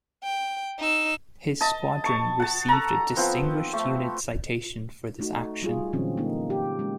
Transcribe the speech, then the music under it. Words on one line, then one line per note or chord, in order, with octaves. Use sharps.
His squadron received a Distinguished Unit Citation for this action.
G5
D#4 E6
D#5 A5
A5 C#6
F#5 A5
A4 A#5
F3 B3 C4
A3
A3 D#4 F#4
G3 F4 G#4
A#2 D3 E3 F#3 C4 C#4
A#3 D#4
G4
G#3 C#4